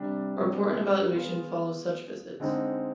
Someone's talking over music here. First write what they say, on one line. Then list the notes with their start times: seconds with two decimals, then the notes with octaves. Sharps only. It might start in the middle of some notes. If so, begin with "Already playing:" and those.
A report and evaluation follows such visits.
Already playing: C3 G3 D4
1.13 B3 F4 G#4
2.40 D3 G#3 C4 D#4